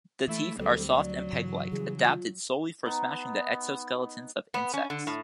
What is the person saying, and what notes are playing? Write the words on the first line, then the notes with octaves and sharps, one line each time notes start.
The teeth are soft and peg-like, adapted solely for smashing the exoskeletons of insects.
E3 A3 E4
D2 F#3 G3 C4 A4
F#3 D5
G2 C#3 E3
C#3 E3 G3 G#4
F4
B3 D#4
B3
C#4
D3
A2